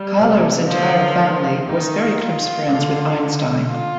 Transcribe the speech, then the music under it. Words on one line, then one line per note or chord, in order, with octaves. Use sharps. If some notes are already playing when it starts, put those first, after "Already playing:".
Kahler's entire family was very close friends with Einstein.
Already playing: G3
C3
D3 F3
D#3
D#3 D#4
F4
D3
F4